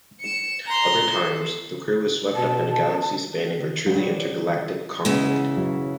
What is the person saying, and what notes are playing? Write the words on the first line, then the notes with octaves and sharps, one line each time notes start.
Other times, the crew is swept up in a galaxy-spanning or truly intergalactic conflict.
C#7 E7
A#5 C6
A4
B2 A5
F#3 G3
C#3 E3 G#3 B3
F#3